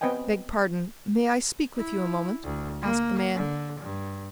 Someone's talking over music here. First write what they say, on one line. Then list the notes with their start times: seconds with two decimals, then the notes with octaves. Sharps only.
"Beg pardon; may I speak with you a moment?" asked the man.
0.01 B3 C4 B4 D#5 G5 G#5
1.76 E4
2.43 D2
2.82 A#3
3.34 D3
3.80 G2